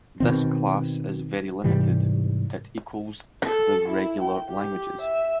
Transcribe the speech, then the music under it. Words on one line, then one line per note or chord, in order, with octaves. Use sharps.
This class is very limited; it equals the regular languages.
B2 D#3 C4
G#2 C3 E3 G3
A4
E4
G5
G4
E5